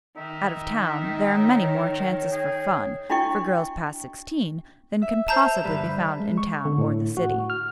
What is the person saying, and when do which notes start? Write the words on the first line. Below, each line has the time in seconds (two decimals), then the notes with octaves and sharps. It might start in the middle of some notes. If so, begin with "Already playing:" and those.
Out of town there are many more chances for fun for girls past sixteen than can possibly be found in town or the city.
0.17 D#3 D#4 E5
1.36 C#5
2.32 G#4 G5
3.10 D4 E4 F#4 D#5 G5 C#6
5.02 E5
5.28 C5 E5 A5 A#5 G6
5.64 G2 D3 B4
6.20 G#3
6.38 C#6
6.65 D3
6.78 A2
7.17 F#4
7.50 F6